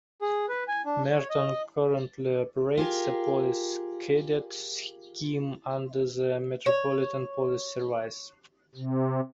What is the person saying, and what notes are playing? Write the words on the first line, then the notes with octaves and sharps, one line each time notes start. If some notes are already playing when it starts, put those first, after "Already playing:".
Merton currently operates a Police Cadet scheme under the Metropolitan Police Service.
G#4
B4
G#5
D4
C#5
D#5
F4 G4 G#4 A#4
C#5
C3